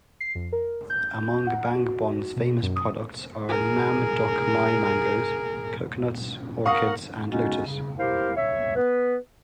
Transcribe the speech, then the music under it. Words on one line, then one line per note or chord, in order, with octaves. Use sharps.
Among Bang Bon's famous products are Nam Doc Mai mangos, coconuts, orchids, and lotus.
C7
F2
A#4
G6
F#5
F#4
B2
F#2
D#6
G#4 A#4
A#4 F5 F#5 C#6 D#6
C#3 G#3 B3 C#4 D#4 F#4
C#3
E4 G4 A#4 C5 F5
C#5 E5
B3 B4